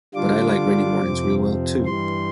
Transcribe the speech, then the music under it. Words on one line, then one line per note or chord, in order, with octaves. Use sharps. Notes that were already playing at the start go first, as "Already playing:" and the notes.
But I like rainy mornings real well, too.
D3 G3 D4 F4 D6
F2 C3 F3 C4
G2 E3 G3 C6